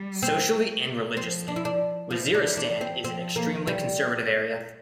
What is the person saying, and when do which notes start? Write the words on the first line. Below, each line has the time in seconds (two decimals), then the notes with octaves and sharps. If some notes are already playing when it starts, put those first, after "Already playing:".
Socially and religiously, Waziristan is an extremely conservative area.
Already playing: G3
0.22 C4
1.17 F3 C4
1.48 D4
1.56 E4
1.65 D4
2.10 E3 F3
2.34 D4
2.42 E3
2.57 D4
2.73 E3
2.81 C4
3.04 F3 C4
3.36 A#3
3.67 G3